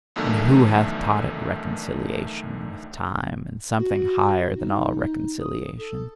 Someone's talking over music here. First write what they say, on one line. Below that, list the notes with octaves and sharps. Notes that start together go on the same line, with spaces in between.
And who hath taught it reconciliation with time, and something higher than all reconciliation?
B1 E2 D3 D#3 A3
F#4
D#4
D#6
A4